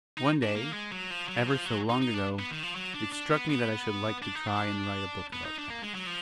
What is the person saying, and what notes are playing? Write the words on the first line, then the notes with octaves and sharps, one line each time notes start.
One day, ever so long ago, it struck me that I should like to try and write a book about Cats.
D#4
D4
A#3
G#3
F#3
F3
F#3
F3
F#3
D#4
D#4
D4
B3
D#3
F3
F#3
D4
D4
B3
B3
D4
D#4
D4
B3
D#4
D4
A#3
G#3
F#3
F3